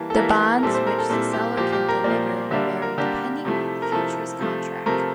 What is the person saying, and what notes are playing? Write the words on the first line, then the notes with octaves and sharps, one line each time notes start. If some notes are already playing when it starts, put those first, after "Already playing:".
The bonds which the seller can deliver vary depending on the futures contract.
Already playing: E3 G3 A#3 E4 A5
A4
E3 G3 A#3 E4 A#4
A#4
A#2 G3 C4 E4 A4
C5
A#4
A4
A#2 G3 C4 E4 A4
G4
A#2 F3 A#3 G4
G4
A#4
A#2 F3 A#3 D5
D3 G3 A#3 D4 E5
A#4
D3 G3 A#3 D4 G4
C3 F3 A3 E4
A#4
C3 F3 A3 E4 A4
C3 F3 A3
C3 F3 A3 A#4